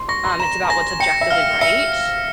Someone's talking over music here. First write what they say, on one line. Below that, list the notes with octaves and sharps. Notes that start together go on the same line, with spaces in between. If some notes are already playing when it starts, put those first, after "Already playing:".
um, it's about what's objectively right.
Already playing: C6
C#6 A#6
C6
A#5 E7
A#5
G#5 A#6
G5 C#7
E5
F5 F6
E5 C#7
C#7